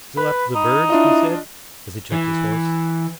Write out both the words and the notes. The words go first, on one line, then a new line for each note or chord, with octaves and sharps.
"Still after the birds?" he said, as he checked his horse.
B4 B5
D#4
D4 E4 F4 D#5
E3